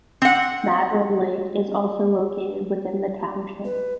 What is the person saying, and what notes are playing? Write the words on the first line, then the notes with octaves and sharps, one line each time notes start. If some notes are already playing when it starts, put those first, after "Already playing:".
Madron Lake is also located within the township.
C4 F#5
B4